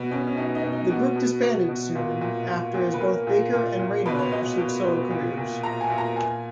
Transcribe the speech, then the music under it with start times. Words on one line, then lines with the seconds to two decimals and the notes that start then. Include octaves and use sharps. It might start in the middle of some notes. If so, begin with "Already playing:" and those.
The group disbanded soon after as both Baker and Rayner pursued solo careers.
Already playing: B2 B3
0.11 B2 C#4
0.27 C#4
0.37 B2 D#4
0.55 D#4
0.64 B2
0.72 D#4
0.90 B2 F#4
1.16 B2
1.43 B2
1.69 B2
1.95 A#2
2.21 A#2
2.48 A#2
2.74 A#2
2.94 B4
3.00 A#2 A#4
3.27 A#2
3.53 A#2
3.79 A#2
4.06 B2 B4
4.19 C#5
4.32 B2 D#5
4.58 B2
4.84 B2
5.10 A#2
5.37 A#2
5.63 A#2 A#5
5.81 G#5
5.90 A#2
5.98 A#5
6.16 A#2 G#5